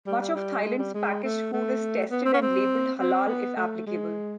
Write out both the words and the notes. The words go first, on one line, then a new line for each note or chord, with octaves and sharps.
Much of Thailand's packaged food is tested and labelled halal if applicable.
G3
G3
G3
G#3
G3
G#3
A3
A3
B3
C4
C#4
C4
C4
B3
A3
G#3